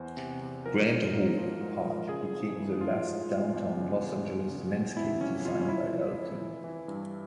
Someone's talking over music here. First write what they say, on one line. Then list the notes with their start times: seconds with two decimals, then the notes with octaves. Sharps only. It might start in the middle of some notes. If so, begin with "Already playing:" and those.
Grand Hope Park became the last downtown Los Angeles landscape designed by Halprin.
Already playing: E2 C5
0.17 C3
0.41 E2
0.66 F3 A#4
0.89 G#2
1.14 G#2
1.37 F3
1.61 G#2
1.86 F3
2.09 C#3 G#4
2.33 F2
2.58 E3
2.81 F3 F4
3.05 G#2
3.29 G#2
3.53 E2
3.77 C#3
4.01 C#3
4.25 E2
4.49 C#3
4.72 E2
4.97 C3 E4
5.20 F2 C#4
5.44 F2 F4
5.61 C#4
5.68 F2 E4
5.93 F3
6.17 F2
6.40 E3
6.64 E3
6.88 G2